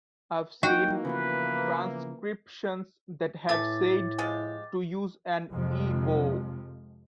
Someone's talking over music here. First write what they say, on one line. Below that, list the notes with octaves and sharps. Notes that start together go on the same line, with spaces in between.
I've seen transcriptions that have said to use an E-bow.
E3 A#3 D#4 F#4 G5
C#3 F3 B3 B4
A2 E3 A3 E5 D6 A6
F3 G#3 G4
F2 C3 F3 G#3